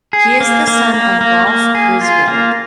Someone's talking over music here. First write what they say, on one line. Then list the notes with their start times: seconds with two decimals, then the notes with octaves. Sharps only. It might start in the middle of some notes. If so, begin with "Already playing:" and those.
He is the son of Ralph Griswold.
0.13 G#4
0.40 A#3
0.67 A#3
0.94 A#3
1.21 A#3
1.47 A#3
1.75 G#4
2.01 F4
2.28 A#3